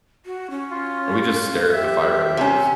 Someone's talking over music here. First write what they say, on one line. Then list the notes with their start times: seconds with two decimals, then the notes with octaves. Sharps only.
and we just stare at the fire, I mean, it's
0.26 F#4
0.50 C#4
0.71 F4
1.73 G4 E5
2.37 C3 C#4